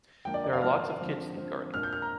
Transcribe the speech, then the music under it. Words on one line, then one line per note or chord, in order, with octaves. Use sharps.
There are lots of kids in the garden.
D3 F3 A#3 D4 G5
D5
D5
F5
D3 F3 A#3 D4 F6
D3 F3 C4
D3 F3 C4
A#2 A#3 D4 F6
G6
F6
A#5